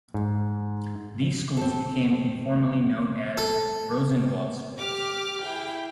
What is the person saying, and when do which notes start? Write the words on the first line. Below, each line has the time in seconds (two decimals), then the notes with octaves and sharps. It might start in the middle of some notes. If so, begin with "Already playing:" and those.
These schools became informally known as Rosenwald Schools.
0.14 G#2
1.57 C4 A4
3.38 A4
4.77 G4 D6 F6
5.43 E4 G#4 G5